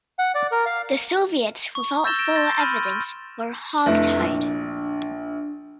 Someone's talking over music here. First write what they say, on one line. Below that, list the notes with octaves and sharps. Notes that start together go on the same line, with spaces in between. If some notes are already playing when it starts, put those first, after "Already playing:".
The Soviets, without full evidence, were "hog-tied".
F#5
D5
A#4
F5
C#6
E6 G6 A6 A#6 E7 G7
A#6 D7 E7
C6 G6 A6 A#6
B5 F6 D#7 E7
F1 A3 D4 E4
A#1